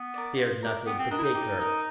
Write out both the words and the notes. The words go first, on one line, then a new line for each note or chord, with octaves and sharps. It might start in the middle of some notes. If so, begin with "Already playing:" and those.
'Fear nothing, but take her.'
Already playing: B3
A#4 D5
F4
A#4 D5
B3 G4
C4
D4 A#4 D#5
E4
D#4
G4
A#4 D#5